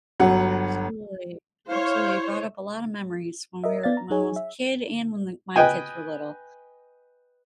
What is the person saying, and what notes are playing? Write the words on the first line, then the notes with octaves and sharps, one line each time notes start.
Absolutely. Absolutely. You brought up a lot of memories when we were when I was a kid and when the my kids were little.
G1 F#3 F#5
E4 C5 C#5 F5
A#4 D#5 E5
B3 D5 F5 A6
A#5
F#3 D#4 G#4 C#5 G#5
E5
B4 D#5 G5 G#5